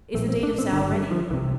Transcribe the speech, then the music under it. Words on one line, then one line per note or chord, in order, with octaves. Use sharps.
"Is the deed of sale ready?"
A#1 A2 A3
C4
D4
C4
G1 G2 D3 D4
G3
F3
C2 C3 E3